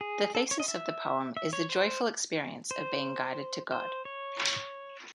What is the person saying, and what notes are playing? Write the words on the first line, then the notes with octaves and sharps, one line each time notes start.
The thesis of the poem is the joyful experience of being guided to God.
G#4
A4
C#5
D#5
E5
E5
C#5
C5
C5
C5
C#5